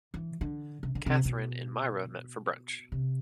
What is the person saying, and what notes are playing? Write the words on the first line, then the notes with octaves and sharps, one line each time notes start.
Catherine and Mira met for brunch.
E3
D3
C3
D3
C3
B2
C3